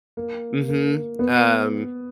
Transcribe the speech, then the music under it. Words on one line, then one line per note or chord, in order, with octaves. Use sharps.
Mhm, um,
A#3
A#3
B3